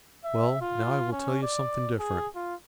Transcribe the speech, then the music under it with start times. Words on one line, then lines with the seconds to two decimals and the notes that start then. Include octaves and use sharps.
Well, now I will tell you something different.
0.25 E5
0.62 F4
1.12 C#4
1.43 D5
2.00 G#4
2.35 F4